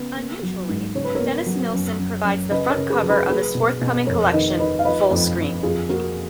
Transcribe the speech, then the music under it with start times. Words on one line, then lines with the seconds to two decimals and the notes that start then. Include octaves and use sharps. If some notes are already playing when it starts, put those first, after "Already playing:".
Unusually, Dennis Nilsen provides the front cover of his forthcoming collection, "Full Screen".
Already playing: C#3 B3
0.17 A#3
0.43 F#3
0.69 G#2
0.95 C#3 C#5
1.05 B4
1.15 A#4 C#5
1.21 B3
1.46 F#3
1.74 F#2
1.98 F#2
2.25 F#2
2.51 C#3 B4 D#5
2.70 A#4 C#5
2.78 C#3
2.90 G#4 B4
3.03 F#3
3.10 G#4 B4
3.29 A#3 G#4 B4
3.55 B2
3.81 B2
4.07 F2 A#4 C#5
4.33 D#3 B4 D#5
4.59 D#3 B4 D#5
4.79 F5
4.85 F3 B4 D#5
5.11 F2 F4
5.38 F2
5.63 F2 F4 G#4
5.89 A#3 F#4 A#4